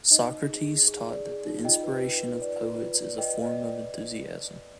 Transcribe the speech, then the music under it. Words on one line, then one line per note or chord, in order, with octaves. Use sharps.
Socrates taught that the inspiration of poets is a form of enthusiasm.
D#4 D#5
D#4
G#4
G#4
G#4
D5
G#4
D#4
F4 D#5 G5
B4
B4
B4
D5
F4
B4
D5
B4 D#5 G5
D5
D#5
D5